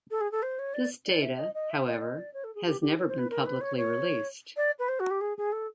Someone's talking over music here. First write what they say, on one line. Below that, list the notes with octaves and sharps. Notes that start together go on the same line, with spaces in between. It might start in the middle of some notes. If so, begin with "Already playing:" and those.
This data, however, has never been publicly released.
A4
G#4
A4
C5
C#5
D5
D5
E5
D#5
D#5
E5
D#5
D5
D#5
D5
C#5
A4
G#4
G4
G4
C#5
C5
B4
A#4
B4
C#5
C#5
D5
B4
C5
F#4
G4
G#4
G#4
A4